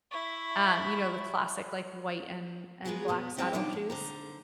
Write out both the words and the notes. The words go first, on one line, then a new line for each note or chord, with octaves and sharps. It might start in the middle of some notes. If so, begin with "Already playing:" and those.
um, you know, the classic, like, white and and black saddle shoes.
E4 E5 C#6
G#3 B3 F4 F#4 G#4 A#4
F2 B2 B3
B2 G3 G#3 C4 E4 G4
B2 D#3 F3 G3 D4 G4
F3
D3 C5 A#5